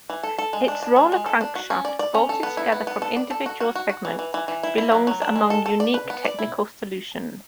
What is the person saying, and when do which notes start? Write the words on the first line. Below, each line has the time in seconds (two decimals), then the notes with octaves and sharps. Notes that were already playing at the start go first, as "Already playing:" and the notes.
Its roller crankshaft bolted together from individual segments belongs among unique technical solutions.
0.10 E3
0.23 A4
0.38 A4
0.53 G#3
0.68 D4
0.82 D4
0.96 G#3
1.12 G#3
1.26 A4
1.41 D4
1.55 F#4
1.70 C#4
1.85 D5
1.99 D5
2.15 C#4
2.29 A4
2.43 B3
2.57 E4
2.72 B3
2.87 B3
3.02 A4
3.17 D5
3.31 A4
3.46 F#4
3.60 F#4
3.75 F#4
3.89 F#4
4.05 E3
4.19 E3
4.34 E3
4.48 E3
4.63 E4
4.78 E4
4.92 F#3
5.07 F#3
5.22 D4
5.36 G#3
5.50 A4
5.66 A4
5.80 D5
5.94 B4
6.10 B3
6.24 D5
6.39 E4